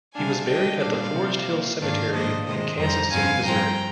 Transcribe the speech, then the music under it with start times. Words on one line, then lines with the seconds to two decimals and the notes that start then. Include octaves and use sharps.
He was buried at the Forest Hill Cemetery in Kansas City, Missouri.
0.14 C3 G3 D4 F5 G#5
0.47 D3 G3 D4 D#5 G5
0.80 A#2 G3 D4 D5 F5
1.13 C3 F3 C4
1.47 C3 F3 A#3
1.79 G#2 D#3 A#3 D4 D5 F5
2.12 G#2 F3 A#3 D4 C5 D#5
2.45 C3 D#3 G#3 C5 D#5
2.78 F2 D3 G3 C4 G5 A#5
3.11 G2 F3 C4 F5 G#5
3.44 G2 F3 C4 G5 A#5